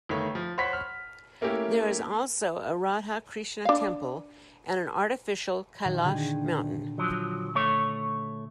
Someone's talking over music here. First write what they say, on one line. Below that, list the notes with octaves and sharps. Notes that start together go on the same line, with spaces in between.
There is also a Radha Krishna temple and an artificial Kailash Mountain.
G1 D#3 A3 C#5
F3
C5 C#5 F#5 B5 B6
F6
A3 A#3 C#4 E4 G4
D4 F5
A#2 D#3 F#4
D3 G#4 G5
F3 F#3
A3 C#5